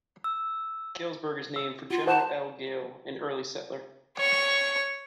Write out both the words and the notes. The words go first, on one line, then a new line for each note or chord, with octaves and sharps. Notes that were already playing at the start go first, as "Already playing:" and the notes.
Galesburg is named for General L. Gale, an early settler.
E6
E6
F4 F#4
C5 F#5 A5
C#5 C#6